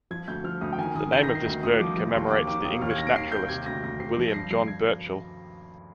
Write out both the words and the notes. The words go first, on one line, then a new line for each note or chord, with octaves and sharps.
The name of this bird commemorates the English naturalist William John Burchell.
F3 G#6
D2 G6
F3 F6
D2 D#6
G5
D#3 G#5
D#3 D#6
D#3 G6
A#6
D#3
C7
D2 C7
D2 D#6
F3 D6
F3
D#2 C6
D#3 D6
D#3 D6
D#2 D#6
D#2 F6
G#6
D#3 A#6
D7
D#3 C7
D#2 G6
C3 G#6
D2 A#6
D2 A#6
C3 C7
F3
A#6
G2 C7
F3 C7
G#6